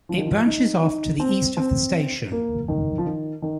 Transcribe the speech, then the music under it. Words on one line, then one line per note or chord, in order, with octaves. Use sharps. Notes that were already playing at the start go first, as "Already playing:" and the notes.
It branches off to the east of the station.
F3
D#3
F3
D#4
D#4
C4
C4
A#3
D#3
F3
D#3
D#3